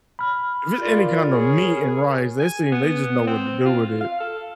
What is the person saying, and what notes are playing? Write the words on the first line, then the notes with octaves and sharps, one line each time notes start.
if it's any kind of meat and rice, they seem they just know what to do with it,
B5 F6
F4 A#4 D5
G#4 C#5
G#5
B3
C4
F4
F5
A4